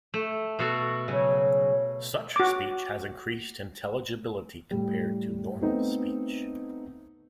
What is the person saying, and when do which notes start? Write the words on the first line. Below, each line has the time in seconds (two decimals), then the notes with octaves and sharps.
Such speech has increased intelligibility compared to normal speech.
0.14 A3
0.59 B2 F#4 A4
1.08 C#3 F#3
2.36 F#4 D6
4.71 A2 G3
5.62 A3 B3 C4 D#4